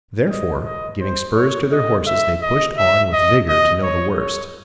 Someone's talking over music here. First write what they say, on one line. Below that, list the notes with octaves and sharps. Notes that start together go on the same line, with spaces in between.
Therefore, giving spurs to their horses they pushed on with vigor to know the worst.
D#5
D#5
C5
C#5
D#5
E5
D#5
E5
D#5
D#5
C#5
C#5